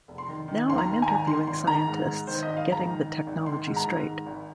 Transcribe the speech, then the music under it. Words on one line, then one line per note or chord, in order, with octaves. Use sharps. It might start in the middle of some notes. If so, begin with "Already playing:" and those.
Now I'm interviewing scientists, getting the technology straight.
F1
C6
D#3
D#3
D#2 C6
A#5
D#3
G#5
G#1 A#5
D#3 C6
G#1 C6
D#3 A#5
G#2
G#2
D#3 C5
G#1 D#5
F5
G#2 A#5
D#3
D#3
G#1
D#3 C6
G#2
A#5
D#3
G#2
G#1